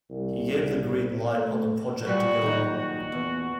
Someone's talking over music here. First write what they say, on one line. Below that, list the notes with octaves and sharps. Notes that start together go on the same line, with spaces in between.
He gave the green light on the project to go on.
C2
A3
A#2 G3 F#4 B4
D#3 F#3 D#4
F#4
E2